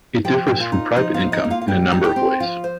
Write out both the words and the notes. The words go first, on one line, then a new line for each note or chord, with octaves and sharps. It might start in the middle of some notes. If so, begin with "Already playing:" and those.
It differs from private income in a number of ways.
F3 G4 G5
A#2
F4 F5
D#4
F3 D#4 D#5
F4 F5
D#4
D#4 D#5
A#3
F4 F5
F5
G3 G4 G5
D#4
G4 G5
C4
F3 F4 F5
C5